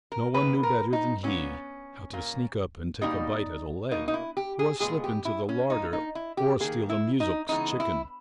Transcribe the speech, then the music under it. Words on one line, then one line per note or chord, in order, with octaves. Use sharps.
No one knew better than he how to sneak up and take a bite at a leg, or slip into the larder or steal a muzhik's chicken.
A#4
D#3 A#3 B4
A#4
D#4
A#2 G3 B3 C#4
A#2 A#3
B2 G3 A#3 D#4
B2 A#3 D#4
D#4
E4
G4
G#4
A#2 G#3 B3 G#4
G4
E4
C#4
A#2 A#3 D#4
D#4
E4
G4
D#3 A#3 G#4
E4
D#4
C#3 E3 G#3 B3 D#4
E4